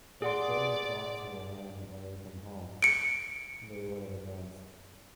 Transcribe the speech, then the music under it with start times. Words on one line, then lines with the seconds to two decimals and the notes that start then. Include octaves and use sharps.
If they had drawn to Iran away from home, they would have advanced.
0.22 G#4 D5 F#5 C6
2.82 C#7 D7